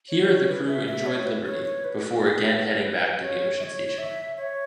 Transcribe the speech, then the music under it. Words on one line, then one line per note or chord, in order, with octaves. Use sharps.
Here the crew enjoyed liberty before again heading back to the ocean station.
C#5
C#5
B4
E5
E5
C#5
B4
C#5
C#5
B4
F#4
G#4
B4
C#5
E5
C#5
C#5
E5
C#5